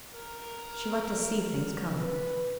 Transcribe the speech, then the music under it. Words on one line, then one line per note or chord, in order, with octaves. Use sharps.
She liked to see things coming.
A#4
B4